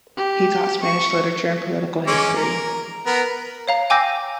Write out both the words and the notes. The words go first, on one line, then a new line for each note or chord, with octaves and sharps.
He taught Spanish literature and Political History.
G4
C#6
G#3 C#4 D6
A#4
B3 A#4
C#5 F5 A#5
G5 G#5 D6 E6 G6 A#6